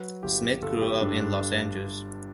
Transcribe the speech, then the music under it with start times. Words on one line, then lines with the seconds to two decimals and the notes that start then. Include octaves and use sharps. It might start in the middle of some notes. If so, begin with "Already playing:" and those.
Smith grew up in Los Angeles.
Already playing: F#3 B4
0.23 G1 G4
0.62 G1 A4
0.81 G4
1.01 G2 D4
1.21 D4